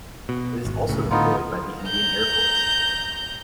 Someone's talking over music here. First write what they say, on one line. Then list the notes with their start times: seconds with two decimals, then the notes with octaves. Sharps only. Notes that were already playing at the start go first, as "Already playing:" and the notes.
It is also deployed by the Indian Air Force.
0.29 B2
0.65 G#1
0.89 C#2 A2 C#3
1.11 A2 D3 B3 D#4 F4
1.84 A#5 G6